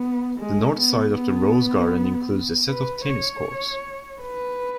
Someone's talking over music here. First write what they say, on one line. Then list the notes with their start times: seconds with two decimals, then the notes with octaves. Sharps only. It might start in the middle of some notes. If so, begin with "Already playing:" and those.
The north side of the Rose Garden includes a set of tennis courts.
Already playing: B3
0.38 G#3
0.76 B3
1.15 B3
2.68 B4
3.06 C#5
4.22 B4